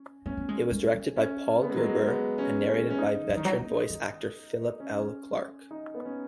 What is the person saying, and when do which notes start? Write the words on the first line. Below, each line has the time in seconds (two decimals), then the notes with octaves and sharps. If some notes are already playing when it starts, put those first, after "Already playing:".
It was directed by Paul Gerber and narrated by veteran voice-actor Philip L. Clarke.
Already playing: C#4
0.26 B3 C#4
0.37 B3
0.49 G#3
0.71 G#3
0.94 F#3
1.16 C#4
1.62 B3
1.69 G#3
1.76 F#3
1.84 G#3
2.08 B3
2.38 C#4
2.68 C#4
2.90 C#4
2.98 D#4
3.29 F#3
3.37 D#3
3.45 F#3
3.58 B3
3.90 D#3
4.80 C#4
5.71 D#4
5.94 B3
6.05 C#4